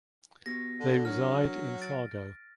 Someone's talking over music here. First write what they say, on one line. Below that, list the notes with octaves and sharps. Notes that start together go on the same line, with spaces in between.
They reside in Fargo.
B3 F#4 G4 A#6
D3
F#3 D4 F#4 A#4 F6
A6 D7